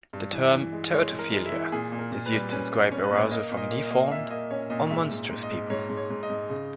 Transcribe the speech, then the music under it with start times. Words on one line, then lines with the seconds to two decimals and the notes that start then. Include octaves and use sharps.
The term "teratophilia" is used to describe arousal from deformed or monstrous people.
0.13 G2
0.33 E3
0.53 E3
0.72 G#3
0.93 G#3 C#5
1.12 G#3
1.19 A#4
1.32 G#3
1.46 E4
1.52 E3
1.72 A#2 G#4
1.92 A#2
1.99 A#4
2.12 A#2
2.26 B4
2.32 G3
2.51 C#4 B4
2.72 G3
2.91 C#4 C#5
3.04 B4
3.12 A#2 C#5
3.31 A#3 D#5
3.52 A#2
3.57 D#5
3.71 A#3
3.85 D#5
3.91 A#3
4.11 A#2 E5
4.30 A#3 D#5
4.51 C#4 C#5
4.70 A#2 D#5
4.90 G#2 E5
5.11 G#2
5.31 G#2
5.43 D#5
5.51 G#2
5.70 G#2 C#5
5.89 G#2
5.97 C#5
6.10 G#2
6.23 D#5
6.30 G#2
6.50 C#3